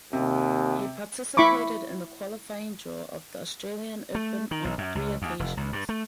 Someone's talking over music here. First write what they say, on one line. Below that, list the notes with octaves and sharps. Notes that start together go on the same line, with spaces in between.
He participated in the qualifying draw of the Australian Open on three occasions.
D#2 C3
E4 B5 C#6 D6
A3
D#3
B1
F#2
C#2
D#2
F1
C#2
G2
A3